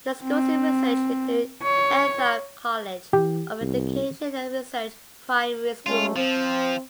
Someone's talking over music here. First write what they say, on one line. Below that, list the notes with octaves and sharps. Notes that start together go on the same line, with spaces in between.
The schools in Research include Eltham College of Education and Research Primary School.
C4
C#5
E3 G4
C2
G#3 A3 C#4 F4
F3 C4